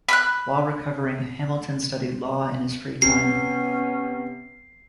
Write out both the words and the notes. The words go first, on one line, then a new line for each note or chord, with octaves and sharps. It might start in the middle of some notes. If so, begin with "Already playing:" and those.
While recovering, Hamilton studied law in his free time.
B5 F6 F#6
C3 B3 C#4 C7